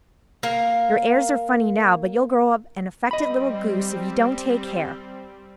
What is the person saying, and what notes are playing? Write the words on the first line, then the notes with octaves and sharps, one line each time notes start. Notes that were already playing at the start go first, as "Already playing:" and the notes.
Your airs are funny now, but you'll grow up an affected little goose, if you don't take care.
A#3 A#4
G3 C4 D#5 B5